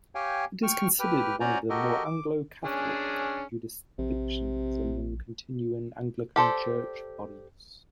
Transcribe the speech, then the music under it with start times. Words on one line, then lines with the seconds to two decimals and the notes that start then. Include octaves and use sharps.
It is considered one of the more Anglo-Catholic jurisdictions among Continuing Anglican church bodies.
0.15 G4 C#5 F5 G5 G#5
0.63 G5 C#6 F6
0.99 G4 B4 G5 F6
1.40 C#4 F#4 C5 D5 G#5 A#5
1.70 F#4 G4 A4 A#4 D#5
2.05 D6
2.64 C#4 D4 G#4
3.98 A#1 C3
6.36 G4 A4 C5 D5